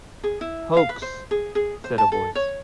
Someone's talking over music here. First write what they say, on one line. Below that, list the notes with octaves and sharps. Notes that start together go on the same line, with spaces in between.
"Hoax," said a Voice.
G#4
E4
F5
B4
C5
G#4
G#4
C5
A5
A4
C#5